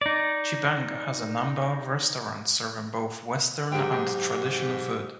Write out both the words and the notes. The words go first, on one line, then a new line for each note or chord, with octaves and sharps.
Tchibanga has a number of restaurants serving both Western and traditional food.
D#4 D5
G#2 F#3 G#3 G4 G5